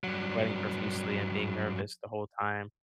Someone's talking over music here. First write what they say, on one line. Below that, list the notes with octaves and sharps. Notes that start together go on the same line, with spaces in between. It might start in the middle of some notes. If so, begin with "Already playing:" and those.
sweating profusely and being nervous the whole time,
G2 F#3